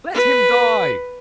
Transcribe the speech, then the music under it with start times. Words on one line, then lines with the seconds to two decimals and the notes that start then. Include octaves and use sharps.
'Let him die!
0.14 B4